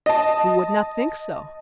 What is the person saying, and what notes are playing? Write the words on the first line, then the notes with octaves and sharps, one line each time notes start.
Who would not think so?
D#5 A5